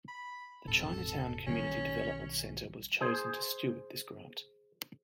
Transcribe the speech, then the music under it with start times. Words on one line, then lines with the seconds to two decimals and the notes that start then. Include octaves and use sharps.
The Chinatown Community Development Center was chosen to steward this grant.
0.08 B5
0.68 D#1 G#2 C3 A4
1.47 B1 D#3 G3 C#4
3.01 G#4 C5